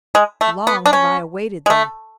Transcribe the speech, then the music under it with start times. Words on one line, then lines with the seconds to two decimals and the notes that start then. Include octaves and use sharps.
Long have I awaited thee!'
0.15 G#3
0.41 A3
0.67 B3
0.86 D4
0.93 C#4
1.66 G#3
1.70 A3